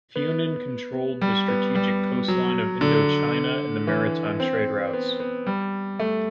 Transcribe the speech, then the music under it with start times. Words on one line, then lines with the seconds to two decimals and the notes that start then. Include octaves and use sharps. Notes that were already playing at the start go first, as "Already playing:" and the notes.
Funan controlled the strategic coastline of Indochina and the maritime trade routes.
0.16 B3
1.21 G3
1.48 B3
1.75 G3
2.28 F#3
2.81 D3
3.87 E3
4.40 C4
4.93 B3
5.20 B3
5.46 G3
5.99 A3